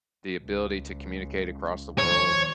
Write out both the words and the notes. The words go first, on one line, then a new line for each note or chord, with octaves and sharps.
The ability to communicate across the world,
C#2
D#2 F3 C#5